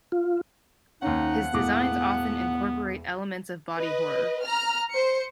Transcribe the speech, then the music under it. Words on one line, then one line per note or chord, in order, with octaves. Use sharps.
His designs often incorporate elements of body horror.
F4
D#2 F3 C#4 D#4 F#5
E1 A2 B3 D6
B4 D#5
A#5 F6
C5 C#7